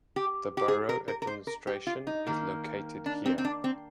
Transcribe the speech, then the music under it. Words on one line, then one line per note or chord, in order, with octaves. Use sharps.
The borough administration is located here.
G4
G4
G#4
A#4
A#4
A#4
C5
A#4
G4
F4
D#4
D#3 A#3
D4
C4
C4
D4
C4